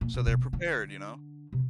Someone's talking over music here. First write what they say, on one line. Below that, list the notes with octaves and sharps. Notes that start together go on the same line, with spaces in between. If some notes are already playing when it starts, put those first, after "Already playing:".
so they're prepared, you know?
A#2
B2
B2
D3
C3